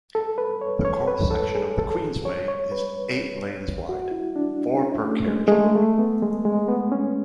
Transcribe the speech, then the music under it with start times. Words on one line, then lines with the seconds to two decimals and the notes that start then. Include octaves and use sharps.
The core section of the Queensway is eight lanes wide, four per carriageway.
0.15 A4
0.38 B4
0.61 C#5
0.85 C#5
1.07 B4
1.31 A4
1.55 G#4
1.78 A4
2.25 C#5
2.48 C#5
2.72 B4
3.89 F#4
4.11 E4
4.36 D4
4.82 C#4
5.05 A3
5.28 G#3
5.48 G#3
5.52 A3
5.75 A3
5.99 B3
6.23 G#3
6.45 G#3
6.68 B3
6.92 C#4